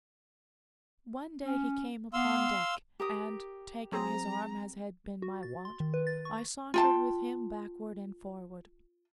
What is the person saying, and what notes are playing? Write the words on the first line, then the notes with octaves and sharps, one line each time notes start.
One day he came upon deck, and, taking his arm as had been my wont, I sauntered with him backward and forward.
C#4
B3 F5 C6 E6
G4 A#4 D#6
F#3 C4 G#4 A#5
F#4
A6
C6
D#3
B4
A6
C#6
F4 G5 A5